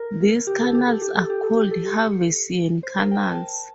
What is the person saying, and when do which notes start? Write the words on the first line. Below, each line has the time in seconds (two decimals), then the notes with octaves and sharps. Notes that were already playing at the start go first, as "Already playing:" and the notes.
These canals are called haversian canals.
Already playing: A#4
0.47 G4
0.61 A4
0.74 G4
0.88 A4
1.02 G4
1.17 A4
1.30 G4
1.43 A4
1.57 G4
1.71 A4
1.85 G4
2.83 C5
2.98 A#4
3.11 G5
3.25 A5